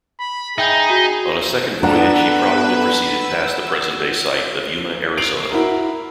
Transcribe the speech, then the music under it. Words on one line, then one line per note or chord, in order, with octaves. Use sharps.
On a second voyage, he probably proceeded past the present-day site of Yuma, Arizona.
B5
D#4 G#4 E5 G5 G6
F#4
B3 D4 A4 B4 F#5 A#5 E7
E6
C7 D7 F7 F#7
E4 F#4 A#4